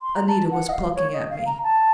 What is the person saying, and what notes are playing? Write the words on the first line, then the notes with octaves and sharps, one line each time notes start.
Anita was plucking at me.
C6
A#5
A5
F#5
D#5
F5
C#5
D#5
F5
A#5
A5